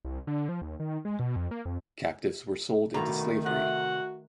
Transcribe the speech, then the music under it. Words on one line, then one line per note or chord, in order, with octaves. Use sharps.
Captives were sold into slavery.
C2
D3
F3
D#2
D#3
G#3
B2
F2
A#3
F2
G2 B2 D#3 A3 F#4 A#5
C3 F#4 F#5